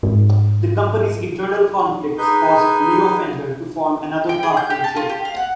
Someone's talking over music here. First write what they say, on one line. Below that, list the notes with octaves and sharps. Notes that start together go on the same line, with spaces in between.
The company's internal conflicts caused Leo Fender to form another partnership.
G#2
D#4 G#4 B4 G#5 G6
G5
G#4
G6
G4
A5
F4
G4
F5
F#5